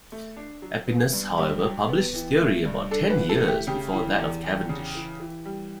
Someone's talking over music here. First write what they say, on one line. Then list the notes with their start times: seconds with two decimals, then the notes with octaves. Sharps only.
Aepinus however published his theory about ten years before that of Cavendish.
0.12 A3
0.36 D4
0.62 F#3
0.88 B3
1.13 G2
1.38 G2 G4
1.64 F#3
1.89 B3
2.15 E3
2.40 A3
2.66 G2
2.91 D4 A4
3.10 B4
3.17 E3
3.29 A4
3.42 A3
3.48 G4
3.67 C#3 G4
3.93 E3
4.18 E2
4.44 E2
4.69 C#3
4.95 E3
5.20 E3
5.45 G3